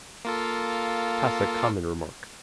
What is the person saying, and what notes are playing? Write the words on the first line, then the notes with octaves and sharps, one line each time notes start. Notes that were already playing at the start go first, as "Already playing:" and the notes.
Pass a common remark.
A#3 F4 A4